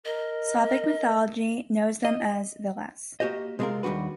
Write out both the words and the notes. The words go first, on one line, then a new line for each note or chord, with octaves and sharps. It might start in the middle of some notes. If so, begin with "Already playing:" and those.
Slavic mythology knows them as vilas.
A#4 D#5
D#5
A#3 F#4 G4 C5 D#5
C3 G#3 C4 C#4 F4 A#4
D#2 G3 D4 F#4 B4